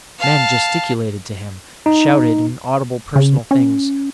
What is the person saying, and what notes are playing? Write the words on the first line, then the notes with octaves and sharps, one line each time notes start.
Men gesticulated to him, shouted inaudible personal things.
F5 A5
D#4
C#3
C#4